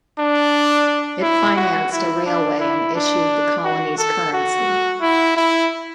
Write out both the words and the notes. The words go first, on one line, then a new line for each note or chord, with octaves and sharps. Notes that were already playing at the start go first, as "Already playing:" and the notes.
It financed a railway and issued the colony's currency.
D4
E4
F#4
E4
D4
E4
D4
F#4
A4
F#4
E4
E4